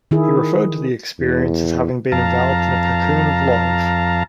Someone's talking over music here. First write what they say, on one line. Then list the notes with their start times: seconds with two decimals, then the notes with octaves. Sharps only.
He referred to the experience as having been enveloped in a cocoon of love.
0.11 D#3 E4 G#4
1.19 E2
2.12 F2 F5 A5 A#5